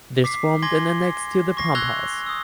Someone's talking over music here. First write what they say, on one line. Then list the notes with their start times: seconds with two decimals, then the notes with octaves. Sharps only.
This formed an annexe to the pump house.
0.24 D6 B6 C7
0.63 G#5 C6 D6 G#6 A#6 G7
1.57 C#6 A#6 C7
1.75 E6 F#6 G#6 A#6 F7 G7
2.26 D#6 E6